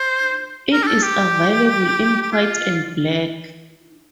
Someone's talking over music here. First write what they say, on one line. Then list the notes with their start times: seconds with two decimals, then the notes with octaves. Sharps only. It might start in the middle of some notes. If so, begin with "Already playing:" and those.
It is available in white and black.
Already playing: C5
0.72 A#4
0.83 G4
0.86 A4
1.02 G4
2.22 G4
2.32 F4